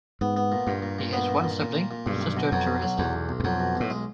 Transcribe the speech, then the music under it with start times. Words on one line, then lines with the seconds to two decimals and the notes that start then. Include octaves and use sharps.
He has one sibling, sister Teresa.
0.21 G#2 B3
0.36 B3
0.52 A#2
0.67 G2 A#2
0.82 A#2
0.98 A#2
1.13 B3
1.28 A#2
1.44 A#2
1.60 A#2
1.75 A#2
1.91 A#2
2.06 B1 G2
2.21 B1
2.37 B2
2.52 F2 F#3
2.67 B1
2.82 F#3
2.98 B1 E2
3.13 B1
3.29 B1
3.40 E2
3.44 F2 F#3
3.60 B2
3.75 B1 A2
3.90 G#3